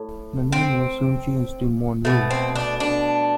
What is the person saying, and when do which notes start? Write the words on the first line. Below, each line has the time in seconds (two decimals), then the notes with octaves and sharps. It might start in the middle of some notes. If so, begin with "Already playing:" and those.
The name was soon changed to Monroe.
Already playing: A2
0.52 C4
2.05 B2 A3
2.31 C4
2.55 D4
2.80 D4